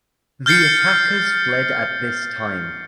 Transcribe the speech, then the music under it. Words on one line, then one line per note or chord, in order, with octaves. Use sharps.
The attackers fled at this time.
F6 G6 A6 C7 C#7